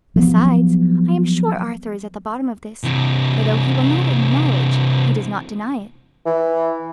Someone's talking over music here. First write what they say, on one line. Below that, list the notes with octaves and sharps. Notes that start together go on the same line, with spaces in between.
Besides, I am sure Arthur is at the bottom of this, for though he will not acknowledge, he does not deny it.
F3 F#3 B3
C3 E3
E3